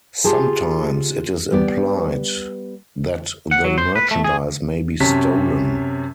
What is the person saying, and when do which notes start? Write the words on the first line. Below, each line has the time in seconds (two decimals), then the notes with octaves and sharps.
Sometimes, it is implied that the merchandise may be stolen.
0.24 F4 G4 G#4 A5
1.52 G3 B3 D5
3.51 F#5
3.64 F#3
3.78 C5
3.95 B4
4.11 A3
4.24 G#4
5.00 F#2 C3 C#4 A5 B6